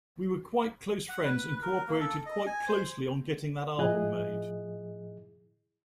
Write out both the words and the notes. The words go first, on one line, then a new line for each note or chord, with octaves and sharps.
We were quite close friends and co-operated quite closely on getting that album made.
F#5
B4
A#4
A#3
A4
D#5
G#5
C5
A2 F3 E4 G#4 D#5 F#6